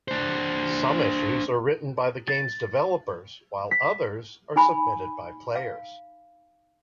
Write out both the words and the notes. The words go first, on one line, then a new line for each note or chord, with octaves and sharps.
Some issues are written by the game's developers, while others are submitted by players.
D4 C5
A6
B6
D#4 G#5 B5
F5